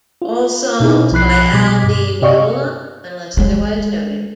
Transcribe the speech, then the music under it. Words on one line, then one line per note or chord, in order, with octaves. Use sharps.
All songs by Al Di Meola unless otherwise noted.
F4
B2 D#4 E4 G#4
B1 F3 B5 F#6 C7
B2 G3 D6 B6
G2
C3 G4 D5 D#5 F5 C#6
G#3